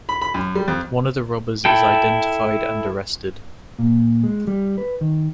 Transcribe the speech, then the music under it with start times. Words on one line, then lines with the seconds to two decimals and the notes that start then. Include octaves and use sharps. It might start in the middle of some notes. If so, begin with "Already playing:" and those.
One of the robbers is identified and arrested.
0.09 B5
0.22 B5
0.34 F#2
0.55 G3
0.68 F2
1.65 E4 A4 G5
3.79 A#2
4.24 G#3
4.47 G3
4.78 B4
5.01 D#3